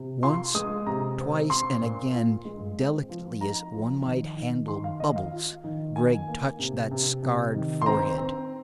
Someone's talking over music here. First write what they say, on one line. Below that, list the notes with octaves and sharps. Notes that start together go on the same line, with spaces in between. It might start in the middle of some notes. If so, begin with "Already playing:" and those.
Once, twice and again, delicately as one might handle bubbles, Gregg touched that scarred forehead.
Already playing: C3
F4 C6
G#3 D#6
C3 A#5
C4
C4 C6
A#2
F4
G#3
C4
F3
D#4 A#5
F3
D#3
D#3
D#3 C6
F5
D#4 D#5
F5
F4
D#3
A#3 G#5
A#3
C3
C3
C3
D#3
C6
C4 A#5
C4